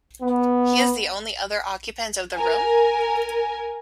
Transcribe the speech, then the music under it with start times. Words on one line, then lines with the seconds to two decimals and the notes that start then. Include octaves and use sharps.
He is the only other occupant of the room?
0.21 B3
2.35 A#4 G#5